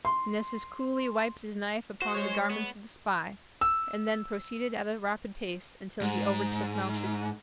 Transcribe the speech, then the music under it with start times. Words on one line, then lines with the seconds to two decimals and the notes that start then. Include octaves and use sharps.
Nessus coolly wiped his knife upon the garments of the spy, and then proceeded at a rapid pace until he overtook Malchus.
0.05 C6
2.02 F#4 C5
2.14 G#3 C#5
2.50 B3
3.61 E6
6.01 G#2